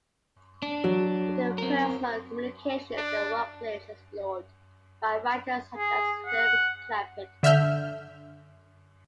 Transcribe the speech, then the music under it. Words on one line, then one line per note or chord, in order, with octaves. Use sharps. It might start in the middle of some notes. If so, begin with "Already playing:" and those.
Interpersonal communications in the workplace are explored by writers such as Phillip Clampitt.
D4
F#3
C4 A#4
D4
G#4
F#5
D3 E5 F6 G6